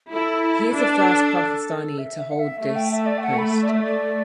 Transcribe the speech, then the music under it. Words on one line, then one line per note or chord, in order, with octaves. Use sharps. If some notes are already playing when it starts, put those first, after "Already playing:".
He is the first Pakistani to hold this post.
E4 A4
D4 A4
B4
A4
E5
E5
F#5
E5
A3 E5
G5
E5
D5
G5
F#5
B5
D5
E5
D5